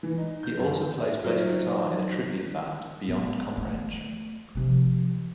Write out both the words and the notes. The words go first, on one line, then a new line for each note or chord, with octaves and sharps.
He also plays bass guitar in a tribute band, Beyond Comprehension.
E3
D#4
G6
F#2
D#3
E5
F#3 D#4 F4 C5
A3 B3
A3
C3 F3